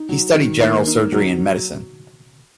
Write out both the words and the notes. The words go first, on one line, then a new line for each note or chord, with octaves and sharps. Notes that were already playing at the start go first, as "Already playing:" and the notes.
He studied General Surgery and Medicine.
Already playing: D#4
F#3
D#3
A#3
D#4
F#3